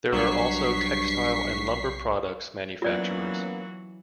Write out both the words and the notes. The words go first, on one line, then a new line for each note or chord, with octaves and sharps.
There are also textile and lumber products manufacturers.
B1 G2 F#3 C#6 B6 C7
E3 F#3 A#3 B3 C#4 F4 F#4 D5